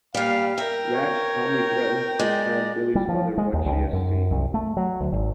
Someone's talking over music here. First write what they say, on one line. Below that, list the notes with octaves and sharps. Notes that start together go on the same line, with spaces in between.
Ratched calmly threatens to tell Billy's mother what she has seen.
A#2 G3 F5
A#4 E5 G5
C#5
G#3 D5
G3
F3
G#3
D#2
C#2
F#2
C2
A3
F#3
D2
G#1